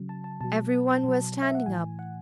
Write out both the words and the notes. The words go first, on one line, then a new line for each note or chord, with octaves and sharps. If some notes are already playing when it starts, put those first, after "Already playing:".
Everyone was standing up.
Already playing: C#3 F#3
A5
A5
B2 F#3 A5
B2 F#3
E5
F#5
A2 E3 G#5
F#5